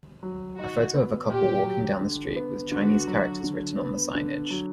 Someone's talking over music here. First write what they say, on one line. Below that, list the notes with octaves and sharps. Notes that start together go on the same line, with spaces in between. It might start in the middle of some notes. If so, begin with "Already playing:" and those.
A photo of a couple walking down the street with Chinese characters written on the signage.
F#3
D#4 F#4
B3
A#2 G4
F#3
D3
B3
D3 F#4
F#3
D3
B3
D3
F#3